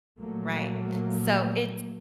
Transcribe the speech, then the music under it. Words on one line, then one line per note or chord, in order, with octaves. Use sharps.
Right. So it's
A#2 F3 F#3 A3 A#3